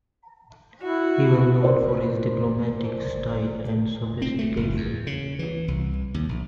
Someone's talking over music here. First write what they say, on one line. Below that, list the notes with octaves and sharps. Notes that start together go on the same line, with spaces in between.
He was known for his diplomatic style and sophistication.
E4 F#4
A#4 C5 D5
C4
A3
F#1
E2
C#3
E3
C2
D#2
A#1